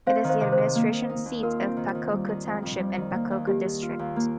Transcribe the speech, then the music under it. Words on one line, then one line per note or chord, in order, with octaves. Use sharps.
It is the administration seat of Pakokku Township and Pakokku District.
C4 C5 F5
D#3
C5 F5
C3
C5
C3
A#3
D#3
D#4
D#2
F4 A#4
C4
D#3
D#3
G3
D#3
F2
F2
G3
D#3
A#3
D#2
A#3 G4
D#3
F4
D#2
A#3